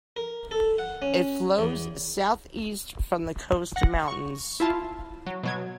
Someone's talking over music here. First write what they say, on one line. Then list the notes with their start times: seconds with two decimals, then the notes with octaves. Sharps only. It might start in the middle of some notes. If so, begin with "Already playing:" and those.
It flows south-east from the Coast Mountains.
0.16 A#4
0.51 A4
0.78 F#5
1.02 C#4
1.59 E2
3.76 F#5 A#6
4.08 C#6
4.60 E4 F4 A5
5.26 F#3
5.43 B2 F#3 G#6